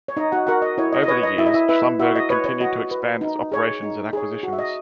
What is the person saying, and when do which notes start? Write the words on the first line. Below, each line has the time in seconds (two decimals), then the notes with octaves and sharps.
Over the years, Schlumberger continued to expand its operations and acquisitions.
0.08 C#5
0.17 D#4 D#5
0.32 F#4 F#5
0.47 F#4 A#4 F#5
0.62 D#5
0.78 E4 C#5
0.93 D#5
1.03 D#5
1.08 B4 C#5
1.23 D#5
1.38 E4 E5
1.46 D#5
1.54 E4 E5
1.69 E4 B4 E5
1.99 E4 F#4 E5
2.15 D#5
2.30 B4 C#5
2.46 C#5
2.60 F#4 D#5
2.91 B4
3.21 D#4
3.52 G#4 C#5
3.83 D#4
4.13 G#4 C#5
4.43 F#4
4.53 E5
4.59 D#5